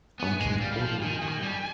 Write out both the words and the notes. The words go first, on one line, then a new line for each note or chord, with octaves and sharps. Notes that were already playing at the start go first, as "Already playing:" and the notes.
I can only record.
B3 G#5
G#3
G3 F5
G3
F3
D#3 G#5
D#3
G3